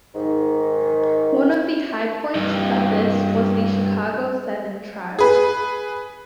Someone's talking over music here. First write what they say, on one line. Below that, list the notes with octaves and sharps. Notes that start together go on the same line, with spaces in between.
One of the high points of this was the Chicago Seven trial.
G#2 D#3
G2 E3
G#4 B4